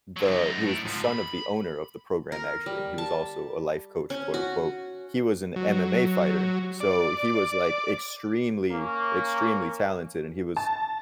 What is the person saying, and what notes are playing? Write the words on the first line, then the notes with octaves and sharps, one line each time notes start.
the he was the son of the owner of the program, actually. He was also a "life coach", quote unquote. He was an MMA fighter. So, he was, like, extremely, extremely talented, and he was
D3 F#3
F#2 D#4
A2
G#2 F3
B5
A#4
G3
A5
C#4
F#4
F#3
D5
A#3 C#4
A5